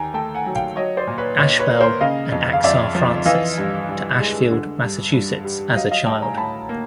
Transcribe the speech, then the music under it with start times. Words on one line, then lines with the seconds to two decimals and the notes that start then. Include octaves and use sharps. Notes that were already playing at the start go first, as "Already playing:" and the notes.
Ashbel and Achsah Francis, to Ashfield, Massachusetts as a child.
Already playing: D#2 G5 G#5 A#5
0.14 A3 G5 A5
0.34 F#5 G#5
0.46 F#3
0.55 F5 G5
0.76 F#3 C#5 D#5
0.97 C5 D5
1.07 A#2
1.18 B4 C#5
1.38 A#2 C#5 D#5
1.59 B4 C#5
1.69 A#3
1.81 A#4 C5
2.01 C#3 D#5 F5
2.32 F2
2.53 F5
2.64 F2 D5 E5
2.95 F3
3.25 E3 D#5 F5
3.58 G2
3.88 G2
4.20 G#3
4.50 D3
4.82 G2
5.14 G2
5.44 G3
5.75 F#3 D#5 F5
5.91 D#5 F5
6.06 A2 G5 A5
6.22 G#5 A#5
6.37 A2 A5 B5
6.69 A#3